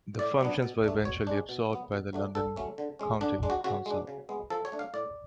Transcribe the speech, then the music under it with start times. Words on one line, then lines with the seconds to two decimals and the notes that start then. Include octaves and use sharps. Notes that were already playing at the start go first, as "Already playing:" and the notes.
The functions were eventually absorbed by the London County Council.
0.19 A2 D5
0.41 F#3 B3 D4
0.62 B2
0.84 A3 D4
1.05 B2 C#5
1.27 G#3 D4
1.49 B2
1.70 F#3 B3
1.92 B2
2.13 F#3 A3 D4
2.35 D3 A4
2.56 F#3 A3 C#4
2.78 D3
2.99 G#3 C#4
3.21 D3 D4
3.43 G#3 D4
3.50 F#4
3.64 C#3 F#4
3.86 G#3 D4
4.07 C#3
4.29 G#3 B3
4.50 F3 A4
4.65 C#5
4.72 A3 D4
4.79 F5
4.94 A2 D5